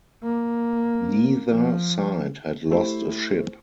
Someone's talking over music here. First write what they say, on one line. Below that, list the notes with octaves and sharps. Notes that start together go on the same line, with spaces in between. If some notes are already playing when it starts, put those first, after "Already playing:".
Neither side had lost a ship.
A#3
F3
A3 E4 G4 C5 E5